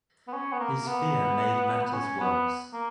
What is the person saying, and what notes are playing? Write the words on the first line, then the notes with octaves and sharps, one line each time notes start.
His fear made matters worse.
B3
C#4
B3
A#3
B3
B3
C#4
B3
A#3